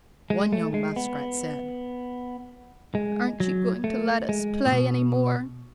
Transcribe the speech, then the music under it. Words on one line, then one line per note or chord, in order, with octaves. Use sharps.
One young Muskrat said, "Aren't you going to let us play any more?"
G#3
A3
G#3
B3
G#3
F#3
A3
G#3
A2
B2